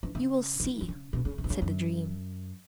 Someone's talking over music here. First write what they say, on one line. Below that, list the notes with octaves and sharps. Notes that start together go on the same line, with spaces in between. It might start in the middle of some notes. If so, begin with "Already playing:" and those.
"You will see," said the dream.
E3
C#3
C#3
E3
E3
C#3
B2
C#3
C#3
B2
C#3
F#2